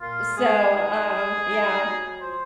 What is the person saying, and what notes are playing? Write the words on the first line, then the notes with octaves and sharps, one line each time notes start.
So, um, yeah.
A#2 F4
G#3 G#4
D#4 G#4
G#3
D#4
F#3
F4 C5